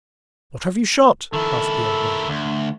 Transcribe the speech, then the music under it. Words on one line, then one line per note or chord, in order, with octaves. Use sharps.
'What have you shot?' asked the old man.
D#3 E4 A4
D2